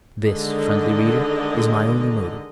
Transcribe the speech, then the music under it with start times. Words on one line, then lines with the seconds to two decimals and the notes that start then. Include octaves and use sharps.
This, friendly reader, is my only motive.
0.25 D3 D#3 G#3 D#5